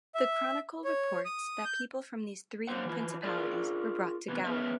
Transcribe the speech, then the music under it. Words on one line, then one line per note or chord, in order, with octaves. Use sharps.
The chronicle reports that people from these three principalities were brought to Gowa.
E5
C#5
D#6
G6
F#3 A#3 C5 F#5
E3 F3 D#4 E4
F4 G#4 A#4 D5
C3 E3 B3
B3 C#4 B4 E5